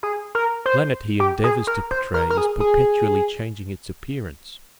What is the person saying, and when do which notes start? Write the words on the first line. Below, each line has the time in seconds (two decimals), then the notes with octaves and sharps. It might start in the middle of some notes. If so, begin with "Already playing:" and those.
The Planet he endeavours to portray is perpetually changing its appearance.
0.03 G#4
0.35 A#4
0.66 C5
1.20 G4
1.44 G#4
1.67 A#4
1.91 C5
2.14 A#4
2.30 A#4
2.37 G#4
2.60 G#4